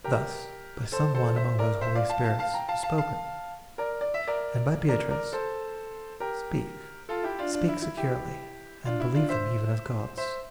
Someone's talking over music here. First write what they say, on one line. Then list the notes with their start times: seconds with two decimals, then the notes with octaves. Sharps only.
Thus by some one among those holy spirits Was spoken, and by Beatrice: "Speak, speak Securely, and believe them even as Gods."
0.04 G4 A#4
0.92 A4 C5
1.15 A4 C5
1.36 C5 E5
1.59 A#4 D5
1.81 C5 E5
1.95 D5 F5
2.09 F5 A5
2.24 F5 A5
2.39 F5 A5
2.54 G5 A#5
2.68 F5 A5
2.83 F5 A5
2.98 F5 A5
3.78 A#4 D5
4.01 D5
4.14 E5
4.27 A#4 D5
4.89 A#4 D5
5.11 A#4 D5
5.33 A4 C5
6.20 G4 A#4
7.09 F4 A4
7.23 E4 G4
7.39 D4 F4
7.53 D4 F4
7.68 E4
7.82 E4
7.97 E4 G4
8.85 D4 F4
9.00 E4
9.14 D4 F4
9.29 C5 E5
10.17 C5 E5